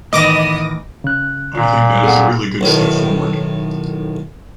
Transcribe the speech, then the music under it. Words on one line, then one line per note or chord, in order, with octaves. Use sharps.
I think that is a really good step forward.
A2 D#3 E3 B3 D#5 D6 D#6 A#6
C#3 F#6
A#2
B3 G#4 A4 F#5
B1 A2 D#3